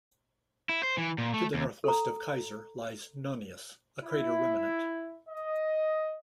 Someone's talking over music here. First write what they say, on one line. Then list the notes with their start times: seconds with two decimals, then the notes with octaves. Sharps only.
To the northwest of Kaiser lies Nonius, a crater remnant.
0.69 E4
0.83 C5
0.97 E3
1.18 A#2
1.34 A3
1.54 D#2
1.84 A4 A#5
4.04 E4
5.29 D#5